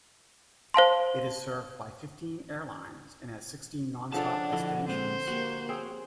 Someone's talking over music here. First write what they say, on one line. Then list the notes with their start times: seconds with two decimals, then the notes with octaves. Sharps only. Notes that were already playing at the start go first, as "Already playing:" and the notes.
It is served by fifteen airlines and has sixteen non-stop destinations.
0.74 C5 F5 A5 C6
4.12 C#3 F3 D4 A4 C#5 F#5 A5
4.53 D3 F3 E4 D#5
4.88 A#2 G#3 C4 C5
5.28 A#3 F#4 G4
5.69 C4 C#4 G#4